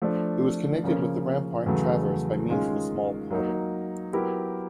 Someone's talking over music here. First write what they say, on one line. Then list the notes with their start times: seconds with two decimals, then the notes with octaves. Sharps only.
It was connected with the rampart traverse by means of a small portal.
0.02 F3 A3 D4
0.84 C#3 F3 A#3 C#4
1.66 E2 C#3 F#3 A3
2.49 D#3 G#3 C#4 F4 G#4
3.31 F#3 A#3 D#4
4.13 F#3 B3 E4 G4 A#4